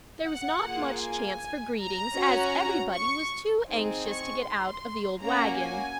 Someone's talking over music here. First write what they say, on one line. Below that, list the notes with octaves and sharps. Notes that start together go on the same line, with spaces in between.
There was not much chance for greetings as everybody was too anxious to get out of the old wagon.
F#5
A#3 F4 G#4
G#5
A#5
C#4 F#4
C#6
C4 D#4 G#4
C#6
C6
A#3 C#4 F#4 A#5
G#5